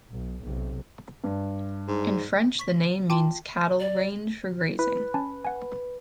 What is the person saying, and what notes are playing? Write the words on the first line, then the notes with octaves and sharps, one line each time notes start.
In French the name means a cattle range for grazing.
B1
B1 C3
G2
G#2
C#6 B6
F4 G5 A5 C6
D5
E4 B4
C#4 G#5 A5
F#5 G#5